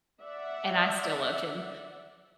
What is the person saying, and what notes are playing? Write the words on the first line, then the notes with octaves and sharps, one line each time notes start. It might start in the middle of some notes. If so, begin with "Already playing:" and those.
and I still loved him,
D5 E5 F#5